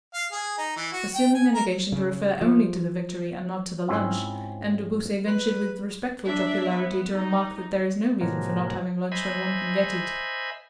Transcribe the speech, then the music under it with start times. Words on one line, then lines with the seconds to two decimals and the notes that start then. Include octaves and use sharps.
Assuming the negation to refer only to the victory and not to the lunch, M. de Beausset ventured with respectful jocularity to remark that there is no reason for not having lunch when one can get it.
0.14 F5
0.32 G#4
0.58 D#4
0.77 E3
0.92 F#4
1.15 G5
1.35 G#5
1.54 A#4
1.92 C#3
2.41 F3
3.88 G#2 C4 C#4 E4 F4
5.27 B4
6.25 D4 E5
6.69 B3
7.16 D#4
8.21 A2 C3 F3 F#3 G#3 A#3
9.12 C5 D#5 E5 G#5 B5